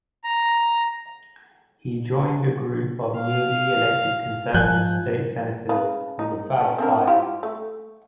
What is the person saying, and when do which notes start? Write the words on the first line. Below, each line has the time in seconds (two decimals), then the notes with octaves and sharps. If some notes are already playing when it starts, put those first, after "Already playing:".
He joined a group of newly elected conservative State Senators called the "Fab Five".
0.24 A#5
3.16 F5
4.54 G#2 F3 G#5 F#6 G6
5.69 C#3 B4
6.19 D#4
6.60 A3 C#4
6.78 C4 D4 A#4
7.07 E4 F4 G4
7.43 A3